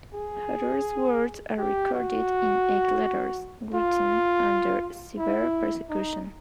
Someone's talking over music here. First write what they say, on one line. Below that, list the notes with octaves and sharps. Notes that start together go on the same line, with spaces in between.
Hutter's words are recorded in eight letters, written under severe persecution.
G#4
G4
F#4
F4
E4
D#4